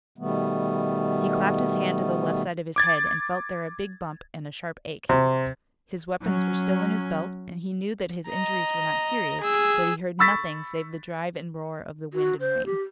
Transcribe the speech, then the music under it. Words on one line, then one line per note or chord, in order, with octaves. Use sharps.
He clapped his hand to the left side of his head, and felt there a big bump and a sharp ache. His weapons were still in his belt and he knew that his injuries were not serious, but he heard nothing save the drive and roar of the wind and rain.
B2 D#3 G3 A3 B3
D6 G#6 A6
C3
F#3 C#4
D#5 A#5
G#4 E6
B5 C#6 E6 A6 B6
F#4
C5
G4